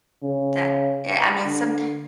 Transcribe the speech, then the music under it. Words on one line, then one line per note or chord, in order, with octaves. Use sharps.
that eh, I mean, somet
C#3
D3